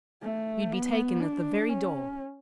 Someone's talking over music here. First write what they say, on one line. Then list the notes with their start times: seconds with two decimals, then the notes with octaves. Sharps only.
You'd be taken at the very door.
0.22 A3
0.72 B3
1.20 D4
1.69 C#4